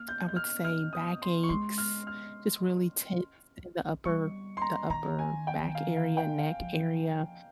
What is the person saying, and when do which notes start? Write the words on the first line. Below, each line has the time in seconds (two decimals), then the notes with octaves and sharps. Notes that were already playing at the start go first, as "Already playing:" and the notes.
I would say backaches, just really tense in the upper the upper back area, neck area,
Already playing: A#3 F6
0.09 G6
0.28 G6
0.36 F6
0.64 F6
0.93 D#6
1.22 C6
1.43 C#6
1.49 G#3 C6
1.78 F6
2.07 F6
4.05 G3 C#6
4.57 C6
4.62 A#5
4.90 D#3 A#5
5.19 G#5
5.47 G5
5.75 F5
5.97 F5
6.17 G5
6.38 F5
6.60 F3